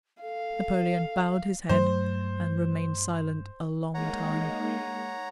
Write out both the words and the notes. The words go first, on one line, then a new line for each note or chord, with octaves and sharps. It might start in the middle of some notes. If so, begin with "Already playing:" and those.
Napoleon bowed his head and remained silent a long time.
A4 F5
G2 F#3 A3 C5
G#3 A#3 D#4 C#5 F#5 A#5